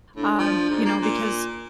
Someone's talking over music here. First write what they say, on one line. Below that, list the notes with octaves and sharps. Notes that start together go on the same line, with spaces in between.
um, you know, because,
A2 D4
F3
G#2
A#3
A#2